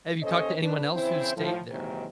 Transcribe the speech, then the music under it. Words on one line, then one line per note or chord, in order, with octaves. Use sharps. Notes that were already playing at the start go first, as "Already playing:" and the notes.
Have you talked to anyone else who's stayed there?
D#2 C#4 A4 C5 C#5 D#5
D4 B4
C#3 E3 C4 E4 C5
A2 F3
G#2 C3 D#3 E3 F#3 A#3